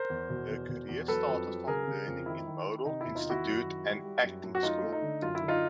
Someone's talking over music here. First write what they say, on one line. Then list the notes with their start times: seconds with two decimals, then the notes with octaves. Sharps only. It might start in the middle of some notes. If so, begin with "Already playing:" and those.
Her career started from learning in Model Institute and Acting School.
Already playing: A#4 C5
0.10 E2
0.30 B2
0.49 E2
0.69 B2
0.89 E2
1.08 F#3 A4 B4
1.28 F2
1.48 F#3
1.67 C#3 G#4 A#4
1.87 C#3
2.07 F2
2.26 D#3 E4
2.47 D#3
2.66 D#3
2.85 C3 D#4
3.01 E2 E4
3.15 D#4 F4
3.25 D#3 E4 F#4
3.45 F#2
3.65 D#3
3.84 G3
4.04 G3
4.23 F#2
4.43 F#2
4.55 F#4
4.63 A3 D#4 F4
4.83 A3
4.92 D#4
5.02 D3
5.22 F#2 F4
5.35 E4
5.42 D3
5.48 D#4 F4